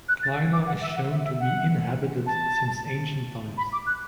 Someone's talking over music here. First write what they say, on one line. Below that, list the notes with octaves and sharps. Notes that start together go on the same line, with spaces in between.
Klina is shown to be inhabited since ancient times.
F#6
A6
D6
F#5
E5
F#5
E5
E5
F#5
A5
B5
D6
F#6